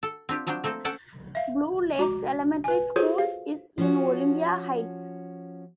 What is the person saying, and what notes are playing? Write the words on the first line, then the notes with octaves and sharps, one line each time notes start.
Blue Lakes Elementary School is in Olympia Heights.
A4
C4 D4 F4 G4
F3 F#3 D4 G5
A3 A#3 C4 A4
C#4 A4 F#5 G5 A5
E5 F5
G#3 F#4 A#5 D6
B4 G#5
F4 F#4 G#4 A4 C5 C#5
F5
F3 C#4 F#4